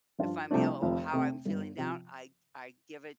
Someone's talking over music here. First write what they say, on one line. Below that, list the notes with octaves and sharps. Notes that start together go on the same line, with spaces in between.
if I'm ill or how I'm feeling down, I I give it
G2 F3 D4 F4
C2 C3 F3 A3 D4
F1 F2 F3
C3 A3 C4
G1 G2 G3
C3 F3